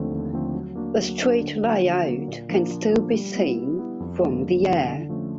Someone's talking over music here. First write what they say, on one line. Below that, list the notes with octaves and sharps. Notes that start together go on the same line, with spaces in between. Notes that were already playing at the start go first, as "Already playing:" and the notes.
The street layout can still be seen from the air.
Already playing: D#2 D3 F3 A3 C4
D#2
D3 F3 A3 C4
F#3
A#3 D4 F#4
F#3
A#3 D4 F#4
D3
F#3 A#3
D3
F#3 A#3
A#2
F3 A#3 D4
A#2
F3 A#3 D4
G3
B3 E4
G3
B3 E4
F2
D3 G3 A#3
F2
D3 G3 A#3
D3
F3 A3 C#4